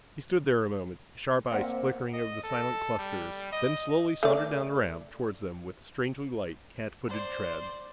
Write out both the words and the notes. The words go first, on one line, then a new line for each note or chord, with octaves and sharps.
He stood there a moment, his sharp eyes flicking over the silent clusters, then slowly sauntered down the ramp toward them with a strangely light, catfooted tread.
A#3 C4 D5 E5 F#5
D#5
A4
G3
D#5
A3 D5
C5 D5